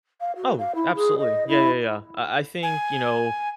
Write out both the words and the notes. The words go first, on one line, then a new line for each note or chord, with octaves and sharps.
Oh, absolutely. Yeah, yeah, yeah. I I think, you know,
F5
F#4
F5
E4
G#4
D#5
E4
G#5